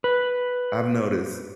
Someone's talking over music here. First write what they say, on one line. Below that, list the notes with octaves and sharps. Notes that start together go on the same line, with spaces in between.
I've noticed
B4